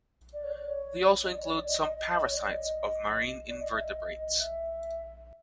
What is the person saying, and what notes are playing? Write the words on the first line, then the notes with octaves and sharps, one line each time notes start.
They also include some parasites of marine invertebrates.
D5
C#5
D5
C#5
D#5
D5
C#5
D5
D#5
D#5
D#5
D#5
C#5
D5
D#5
D5
D#5
E5
D#5
E5